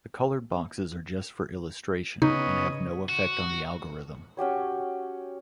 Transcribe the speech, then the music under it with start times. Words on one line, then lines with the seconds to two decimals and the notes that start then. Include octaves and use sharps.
The colored boxes are just for illustration and have no effect on the algorithm.
2.22 C#3 B3 C#4 D#4 D#5
3.09 F#4
4.37 C#4 F#4 G4 C#5